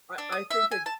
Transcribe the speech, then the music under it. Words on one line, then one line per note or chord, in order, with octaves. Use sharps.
I I think it
D4
D#6
E5
G#5
A5